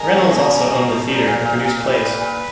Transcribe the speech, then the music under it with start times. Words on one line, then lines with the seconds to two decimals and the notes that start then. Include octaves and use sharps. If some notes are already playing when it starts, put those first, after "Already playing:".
Reynolds also owned a theater and produced plays.
Already playing: G#3 A#4
0.13 C#4
0.32 B2 A#4
0.51 C#4
0.70 B2
0.89 B2
1.08 G3 A#4
1.27 A#2
1.45 A#2
1.64 A#2
1.84 G3 B4
2.03 A#2
2.22 A#2